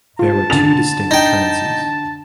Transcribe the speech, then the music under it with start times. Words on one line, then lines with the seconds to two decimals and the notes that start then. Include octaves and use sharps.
There were two distinct currencies.
0.19 F4 A5
0.50 D3 A6 F7
1.11 D#4 G5